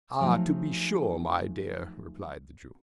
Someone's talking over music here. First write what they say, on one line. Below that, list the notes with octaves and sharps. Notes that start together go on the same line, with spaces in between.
'Ah, to be sure, my dear,' replied the Jew.
F3 F#3 A3 D#4 G#5